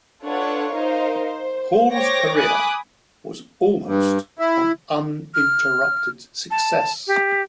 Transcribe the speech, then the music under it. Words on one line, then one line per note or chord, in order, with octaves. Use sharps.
Hall's career was almost an uninterrupted success.
D4 F4 A4 B4 C#5 F#5
D#4 A#4 C5 F5
C5
C5 C#5 G5 D6 A#6
G#5 B5 D6 D#6 F#6
G2
E4
F6
A5
G4